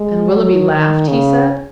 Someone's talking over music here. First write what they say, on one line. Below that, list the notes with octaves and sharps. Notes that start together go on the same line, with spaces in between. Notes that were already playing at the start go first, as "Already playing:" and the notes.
"And Willoughby laughed?" he said.
Already playing: G#3
F#3
D#3
C#3